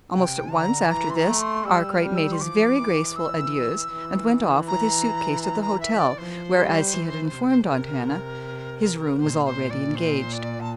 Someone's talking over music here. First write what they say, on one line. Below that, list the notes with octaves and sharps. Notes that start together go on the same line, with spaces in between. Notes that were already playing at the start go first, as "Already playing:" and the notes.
Almost at once, after this, Arkwright made his very graceful adieus, and went off with his suit-case to the hotel where, as he had informed Aunt Hannah, his room was already engaged.
C3 G5
D3 A#5
E3 A#5
C6
A#5
A3
C6
G3 E6
F6
G3
E6
C6
F3 D6
E3
E6
E3
A#5
A#5
A#5
E5
D5
F3 C5
G3
E3
C3
C3 A#4
A#2 C5
C5
D5
C5
D5
A5